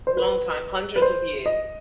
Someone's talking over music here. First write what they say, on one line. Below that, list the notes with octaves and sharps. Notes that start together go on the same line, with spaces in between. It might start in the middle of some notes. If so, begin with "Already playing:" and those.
Long time, hundreds of years.
C5
B4
B4
C5
D#5